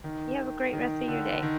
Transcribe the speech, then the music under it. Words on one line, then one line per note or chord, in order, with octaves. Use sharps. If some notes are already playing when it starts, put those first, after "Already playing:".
you have a great rest of your day.
D#3
D#3
D3
D#3